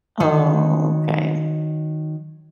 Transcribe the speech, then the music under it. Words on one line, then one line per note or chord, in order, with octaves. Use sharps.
Oh, okay.
D#3 F#3